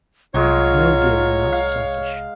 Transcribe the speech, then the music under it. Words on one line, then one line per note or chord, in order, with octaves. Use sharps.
'No, dear, you're not selfish....
C2 F#3 G#3 F4 C#5
F5